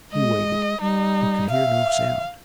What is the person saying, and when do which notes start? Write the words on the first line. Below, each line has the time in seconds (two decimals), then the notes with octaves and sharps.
He waited, but could hear no sound.
0.13 G#3 D#5
0.81 G3 D#4
1.50 E5 F5